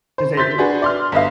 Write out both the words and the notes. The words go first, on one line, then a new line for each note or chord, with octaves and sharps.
Does it do
C5
C6 G6 A6 B6
D4 F#4 G#4 B4
D5 C6 F6
G1 B4 D#5 F5